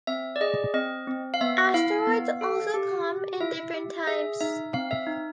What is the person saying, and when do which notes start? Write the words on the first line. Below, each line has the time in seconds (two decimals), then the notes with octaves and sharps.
Asteroids also come in different types.
0.07 C4 E5
0.36 D5
0.41 G#4 D#5
0.74 C4 D#5
1.08 C4
1.34 F5
1.41 B3 E5
1.74 E4 F5
2.07 B3
2.41 A4
2.74 G4
3.08 G4
3.41 E4 E5
3.74 G4
4.07 G#4 E5
4.41 D#4 E5
4.74 C4 F5
4.91 E5
5.07 D#4